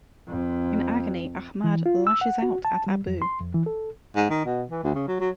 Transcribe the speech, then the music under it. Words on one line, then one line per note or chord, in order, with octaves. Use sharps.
In agony, Ahmad lashes out at Abu.
F2
E3
F4
E6
F#5
F#4
A5
G3
F2
C6
F2
E3
A4
G#2
D#3
B2
E3
D2
C#3
F#3
F#3